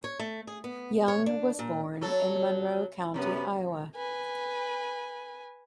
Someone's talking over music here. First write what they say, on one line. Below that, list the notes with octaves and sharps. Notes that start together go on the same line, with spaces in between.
Young was born in Monroe County, Iowa.
C#5
A3
G#4
B3
C#5
D4
A#2
F#3 A4
F#2 C3 B3
B4 G#5